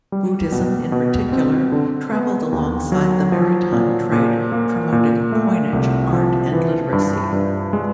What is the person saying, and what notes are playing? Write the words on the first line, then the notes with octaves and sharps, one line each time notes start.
Buddhism, in particular, traveled alongside the maritime trade, promoting coinage, art and literacy.
G3
B2
B2
C4
D3
B3
D#2
F#3
F3
A#2
A#2
A#3
A#2
A3
C2
F3
E3
G2
G2
G#3